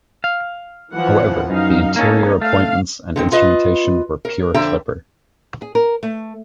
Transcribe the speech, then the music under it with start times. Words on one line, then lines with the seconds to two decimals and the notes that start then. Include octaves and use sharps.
However, the interior appointments and instrumentation were pure Clipper.
0.24 F5
0.93 E3 F3 F#5
1.50 F#2 D#4 F5
1.96 A#3 C#4 D#4 A4
2.42 A3 F5
3.16 D3 D#3 C4
3.32 F4 B4 D#5
4.25 A#4
4.54 F2 D3 E5 G5 A#5
5.62 G#4
5.75 A#4
6.03 A3